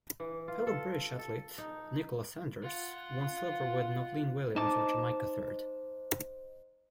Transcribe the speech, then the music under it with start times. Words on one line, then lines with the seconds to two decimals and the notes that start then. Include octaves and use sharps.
Fellow British athlete, Nicola Sanders won silver with Novlene Williams of Jamaica third.
0.20 E3
0.48 F4
0.67 A4
1.19 A4
1.58 D#4
2.62 F4 F#5
4.56 D#4 C5 D#5 A5 D6